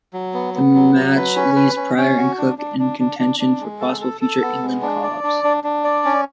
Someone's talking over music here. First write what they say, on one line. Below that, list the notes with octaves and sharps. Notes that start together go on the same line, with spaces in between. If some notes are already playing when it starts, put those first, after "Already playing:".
The match leaves Prior and Cook in contention for possible future England call-ups.
F#3
B3
B3
F#3
F#3
B4
C#4
B4
C#4
C#4
F#4
D4
D4
D4
D4
D4
D4
G#3
A4
A4
A4
B3
G#3
D4
D5
D4
D4
D4
D5
C#4